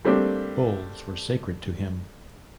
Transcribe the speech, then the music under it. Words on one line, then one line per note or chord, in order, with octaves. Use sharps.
Bulls were sacred to him.
G3 A3 A#3 C4 D4 G4